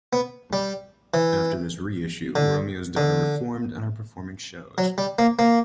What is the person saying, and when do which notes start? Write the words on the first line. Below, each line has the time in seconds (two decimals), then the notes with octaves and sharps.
After this reissue Romeo's Daughter reformed and are performing shows.
0.13 B3
0.53 G3
1.14 E3
2.35 D3
2.97 D3
4.78 F#3
4.98 G3
5.19 A#3
5.39 A#3